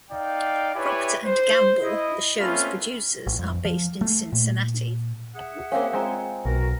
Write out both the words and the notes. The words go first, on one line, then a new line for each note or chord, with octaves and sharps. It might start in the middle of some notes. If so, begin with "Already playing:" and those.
Procter and Gamble, the show's producers, are based in Cincinnati.
D#4 D5 F5 G5
E4 G4 B4 C#5 D5 G#5
C5
E4 D#5
A3 A#3 C4 C#4 F4 B4
A1
F2
F3
A3
A#2
G#4 E5 F#5
A#3 C4 C#4 F5
G#3 C4 F4 C#5 A#5
B1 F#4 A#4